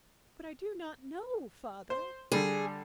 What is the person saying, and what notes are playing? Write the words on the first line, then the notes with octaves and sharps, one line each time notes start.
"But I do not know, Father!"
C5
D3 G3 D4 G#4